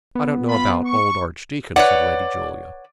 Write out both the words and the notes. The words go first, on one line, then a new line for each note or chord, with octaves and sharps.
"I don't know about old archdeacon," said Lady Julia.
B3
F4 B5
C#6
B4 C#5 D5 F#5